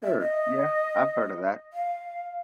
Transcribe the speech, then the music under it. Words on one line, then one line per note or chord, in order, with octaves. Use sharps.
Sure. Yeah, I've heard of that.
E5
D#5
F5